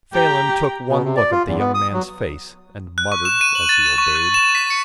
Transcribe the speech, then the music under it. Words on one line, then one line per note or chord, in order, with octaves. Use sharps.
Phelan took one look at the young man's face and muttered as he obeyed.
G4 G5 A#5
B2
C3
D5
F4
E2
B3
D#6
F#3
F#6
C#6
E7
D#7
F#7
A6
E7
C#6
F#6
E7
B6
C#7